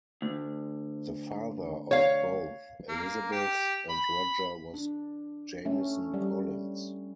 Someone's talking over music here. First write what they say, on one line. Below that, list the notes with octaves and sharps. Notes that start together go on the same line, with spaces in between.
The father of both Elizabeth and Roger was Jamison Collins.
D2
C#5 F5
A#3
G4
B5
D4
A3 C#4
G3